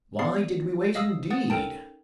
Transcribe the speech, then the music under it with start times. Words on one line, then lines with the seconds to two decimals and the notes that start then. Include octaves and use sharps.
Why did we wait, indeed?
0.19 B3 G#4 D5 F5 C7
0.95 D#5 F5 D#6 E6
1.30 F#5 D#6 A6
1.50 C#4 D#4 A4 A#4 G5 A5